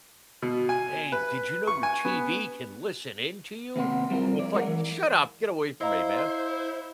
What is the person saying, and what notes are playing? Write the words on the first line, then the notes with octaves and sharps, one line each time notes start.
"Hey, did you know your TV can listen in to you?" It's like, "Shut up, get away from me, man,"
B2
G#5
B4
C#6
G#5
B3
D#2 C3 B3 C6
G3 C4 F4 A#4
F2 C#5 D5
G#3 D#4 A#4 C#5 F#5
E3
E4 C5 D#5 F5 A#5